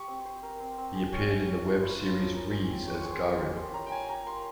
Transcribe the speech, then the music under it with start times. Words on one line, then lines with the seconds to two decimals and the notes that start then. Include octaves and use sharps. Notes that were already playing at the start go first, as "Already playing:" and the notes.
He appeared in the web series "Riese" as Garin.
Already playing: G4 C#6
0.08 C4
0.25 C5
0.43 A#4
0.60 C4
0.78 C4
0.95 G#4
1.13 C#4
1.30 E5
1.48 C#4
1.65 F3
1.82 E4
1.99 F4 C6
2.17 F3
2.35 A#4
2.52 G#4
2.70 C4
2.87 C#5
2.94 C#6
3.04 G#4 C6
3.22 A#3
3.39 A#3
3.57 G4 C6
3.74 C#4 A#5
3.86 G5
3.91 C#4 G#5
4.09 G4 A#5
4.26 A#3 C6